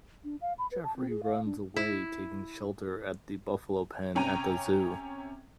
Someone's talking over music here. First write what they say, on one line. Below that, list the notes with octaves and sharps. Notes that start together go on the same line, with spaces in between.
Jeffrey runs away, taking shelter at the buffalo pen at the zoo.
D4
F5
B5
B4
A5
C4
G#4
F5
D4
E4
C3 C#4 G5 A#5 D#7